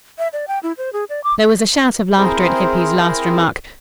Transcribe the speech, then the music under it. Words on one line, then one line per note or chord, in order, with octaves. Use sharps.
There was a shout of laughter at Hippy's last remark.
E5
D5
G5
E4
C5
G#4
D5
D6
C4 E4 G#4 A#4 C5